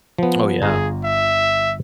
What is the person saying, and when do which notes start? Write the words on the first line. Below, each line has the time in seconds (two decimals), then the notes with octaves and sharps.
Oh, yeah.
0.18 F3 B3
0.62 G1 F4 G#4 A#5
1.05 E5